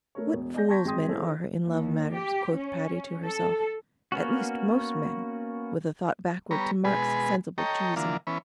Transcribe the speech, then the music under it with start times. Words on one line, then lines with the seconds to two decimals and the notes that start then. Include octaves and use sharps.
"What fools men are in love matters," quoth Patty to herself--"at least most men!" with a thought backward to Mark's sensible choosing.
0.15 A3 A#4 C#5
0.33 E1
0.54 D5 D#5 G#5 G6 A#6
0.68 A5 C6 C#6 G#6 A#6 B6
0.84 G#1 G#3 G#4 G5 C6 D#6
1.09 E4 G#4 A4 C5
1.64 D#2
2.13 G4
2.56 C#4
3.25 A4
4.12 A#3 B3 C#4 F#4
6.51 G3 B3 C#5 A#5
6.85 B2 G#3 G#4 B4
7.58 A4 C#5 D#5 G5 A#5
7.96 D3 E3 A#3 F4
8.27 E3 B3 C#4